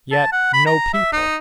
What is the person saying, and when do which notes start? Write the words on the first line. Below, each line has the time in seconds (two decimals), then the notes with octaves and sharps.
Yet no people.
0.12 A5
0.32 F#5
0.53 B5
0.66 A#5
0.94 E5
1.13 D#4